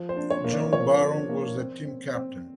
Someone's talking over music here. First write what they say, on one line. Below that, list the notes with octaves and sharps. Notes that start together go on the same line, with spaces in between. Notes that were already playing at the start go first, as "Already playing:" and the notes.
John Barron was the team captain.
Already playing: F3
C5
D4
C#5
A#3
D5
F3 C#5
D4
A#3
C4
C4
C4